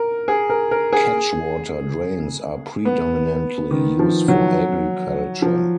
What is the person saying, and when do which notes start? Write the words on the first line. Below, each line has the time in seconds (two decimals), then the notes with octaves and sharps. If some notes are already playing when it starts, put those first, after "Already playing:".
Catchwater drains are predominately used for agriculture.
Already playing: A#4
0.28 G#4
0.50 A#4
0.71 A#4
0.93 G#4
2.85 B3
3.71 D#3
3.99 F3
4.28 F#3
5.42 F3